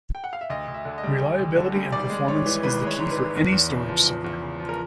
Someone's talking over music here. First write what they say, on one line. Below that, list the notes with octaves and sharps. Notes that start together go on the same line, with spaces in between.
Reliability and performance is the key for any storage server.
G5
F#5
F5
E5
D2 D#5
D2
E5
D3
D#5
G3
D2
D2
D3
G3
G#1 D5
G#3
G#2 C#5
E3
G#1 B4
G#3 C#5
G#2
B4
E3
E2
E2
C#3
F3
E2
E2
C#3
F3
A#4